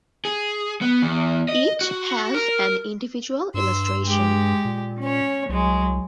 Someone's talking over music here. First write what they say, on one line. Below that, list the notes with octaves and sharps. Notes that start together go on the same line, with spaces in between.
Each has an individual illustration.
G#4
B3
E2
D#5
F#4
A#4
G2 C6 E6
G#3 G4
A#2
C#4 C#5
C2 F#3 G#3